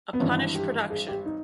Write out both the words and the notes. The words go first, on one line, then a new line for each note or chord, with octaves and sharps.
A Punish Production.
B3
G#1 G2 E3 C#4
G4
G#4
G4
D#4